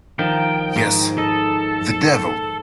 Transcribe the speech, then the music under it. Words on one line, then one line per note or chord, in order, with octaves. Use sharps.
Yes... the devil!
D#3 F3 G5
G#2
A4 D#5